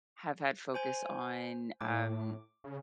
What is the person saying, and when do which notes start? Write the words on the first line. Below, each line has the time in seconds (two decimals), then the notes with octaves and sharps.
have had focus on, um,
0.74 C5 G#5 G6
1.81 A2 D6
2.64 C#3